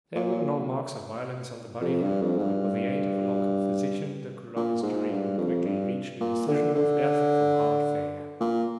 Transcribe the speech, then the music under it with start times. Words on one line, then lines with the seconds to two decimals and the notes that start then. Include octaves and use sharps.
There were no marks of violence on the body, and with the aid of a local physician the coroner's jury quickly reached a decision of death from heart failure.
0.16 A#2
1.81 F2
2.02 G2
2.22 F2
2.37 G#2
2.43 G2
4.56 A#2
4.83 G#2
5.11 G2
5.38 F2
5.66 G2
6.21 A#2
6.48 D3
6.75 D3
8.40 A#2